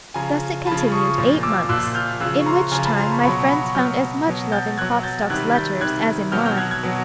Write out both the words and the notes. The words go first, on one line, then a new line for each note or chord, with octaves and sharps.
Thus it continued eight months, in which time my friends found as much love in Klopstock's letters as in mine.
C#3 F3 G#5 A#5
C#3 F3 A5 B5
C#6 D#6
A#2 F3
D6 E6
A#2 F3 E6 F#6
F6 G6
C#3 F3 E6 F#6
C#6
A#5 C6
C#3 F3 G#5 A#5
A5 B5
A#5 C6
B5 C#6
B2 F#3 B5 C#6
B5 C#6
B2 F#3 F6 G6
B2 F#3
G6 A6
B2 F#3 F#6 G#6
G6 A6
C3 D#3 G3 F#6 G#6
G6 A6
C3 D#3 G3 F#6 G#6
B2 F#3 F6 G6
F6 G6
F#6 G#6
F#6 G#6
B2 F#3